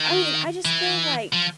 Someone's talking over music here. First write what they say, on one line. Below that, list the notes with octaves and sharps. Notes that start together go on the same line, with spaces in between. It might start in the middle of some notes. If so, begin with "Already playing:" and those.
I mean, I just feel like
Already playing: D#3
E3
F3